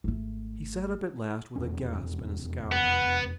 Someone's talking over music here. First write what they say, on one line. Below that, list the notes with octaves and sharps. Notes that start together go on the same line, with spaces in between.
He sat up at last with a gasp and a scowl.
G#1 A3
F1 E2 C#4
B3 F#5